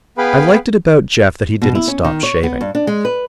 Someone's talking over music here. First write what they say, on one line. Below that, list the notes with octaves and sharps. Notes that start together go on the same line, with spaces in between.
I liked it about Jeff that he didn't stop shaving.
B3 G#4 B4 F5 G5 B5
B2
E4
C#4
D#3
C#5
B3
G2
D4
G#3
B4